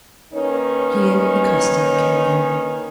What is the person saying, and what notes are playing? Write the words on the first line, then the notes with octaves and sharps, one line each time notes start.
Here a customer came in.
D#3 A#3 C#4 D#4 B4 C#5